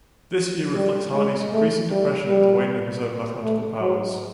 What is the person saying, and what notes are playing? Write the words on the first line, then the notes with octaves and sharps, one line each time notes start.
This view reflects Hardy's increasing depression at the wane of his own mathematical powers.
G3
G#3
A3
G3
G3
A3
F#3